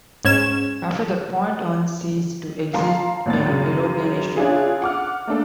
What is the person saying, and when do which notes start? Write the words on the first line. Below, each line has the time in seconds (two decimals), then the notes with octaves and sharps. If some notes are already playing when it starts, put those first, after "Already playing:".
After that point, Huns cease to exist in European history.
0.25 G#2 C#4 G#6 E7
2.73 F5 A5 A#5 C6
3.26 G#1 D#2 A2 C#4 A6
3.46 F#2 C#3
4.37 C#4 D4 E4 F4 G#4
4.82 F#5 D6 F6
5.27 A3 A#3 D4 A4